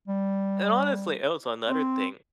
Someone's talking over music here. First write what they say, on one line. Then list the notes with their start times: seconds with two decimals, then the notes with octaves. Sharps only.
And, honestly, it was another thing.
0.08 G3
1.69 C4